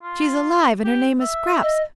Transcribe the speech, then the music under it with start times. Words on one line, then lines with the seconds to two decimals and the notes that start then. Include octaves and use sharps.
She's alive and her name is Scraps.
0.03 F4
0.85 G4
1.20 E5
1.62 D#5